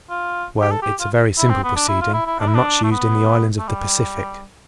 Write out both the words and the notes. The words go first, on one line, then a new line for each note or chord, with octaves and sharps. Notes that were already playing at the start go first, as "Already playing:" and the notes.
"Well, it's a very simple proceeding, and much used in the islands of the Pacific."
F4
G4
A4
G4
F4
E4
C4
B3
D4
E4
F4
E4
E4
D4
E4
D4
A3
B3
A3
G3